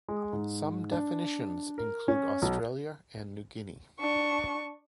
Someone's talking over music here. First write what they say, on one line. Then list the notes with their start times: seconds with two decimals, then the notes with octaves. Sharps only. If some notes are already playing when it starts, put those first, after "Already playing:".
Some definitions include Australia and New Guinea.
0.08 G#3
0.33 G#2
0.92 D4
1.78 A#4
2.08 C#4
2.42 B1
4.00 D4 C#6